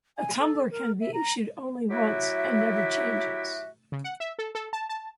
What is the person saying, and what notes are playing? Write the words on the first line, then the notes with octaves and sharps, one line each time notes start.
A tumbler can be issued only once and never changes.
G#5
A4
A#4
E5
A#5
F#3 E4 F#4 G4 E5
C#3
F#5
E5
A4
A4
A5
A5